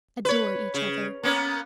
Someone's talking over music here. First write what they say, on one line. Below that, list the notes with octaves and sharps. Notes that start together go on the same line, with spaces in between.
Adore each other.
B4 C#5
C#3
A#3 B3 C#4